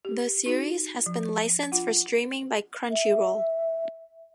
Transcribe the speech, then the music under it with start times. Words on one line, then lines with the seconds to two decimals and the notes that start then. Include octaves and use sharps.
The series has been licensed for streaming by Crunchyroll.
0.05 G4
0.46 D#4 F#4 G#4
1.06 F3
1.72 D4 F4 F#5
2.90 E5